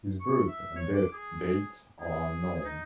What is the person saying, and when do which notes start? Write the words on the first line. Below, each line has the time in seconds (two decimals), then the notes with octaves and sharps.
His birth and death dates are unknown.
0.20 C#6
0.48 E5
0.76 C#5
0.94 D6
1.13 G#4
2.01 G#4
2.65 D#4